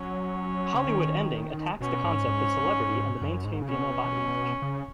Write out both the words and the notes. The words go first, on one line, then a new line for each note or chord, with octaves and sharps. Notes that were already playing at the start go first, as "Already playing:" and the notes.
"Hollywood Ending" attacks the concept of celebrity and the mainstream female body image.
Already playing: F#3 C#4
C#3
D#3
B2 C#4
G#2
G#2
F#2
G#2
C#3
B2 C#4
C#3